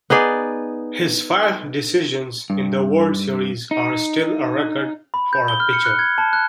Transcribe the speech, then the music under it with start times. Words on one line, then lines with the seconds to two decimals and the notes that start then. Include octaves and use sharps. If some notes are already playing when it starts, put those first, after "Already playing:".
His five decisions in the World Series are still a record for a pitcher.
0.10 B3 D#4 G#4 D5
2.50 G2
3.71 D#4
5.14 B5
5.33 G6
5.48 G7
5.60 F6
5.73 C#7
5.85 F#6
5.99 G#6
6.18 A5
6.33 F#6